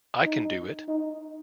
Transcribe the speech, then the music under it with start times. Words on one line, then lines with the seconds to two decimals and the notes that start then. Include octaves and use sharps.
I Can Do It!
0.25 D#4
0.88 D#4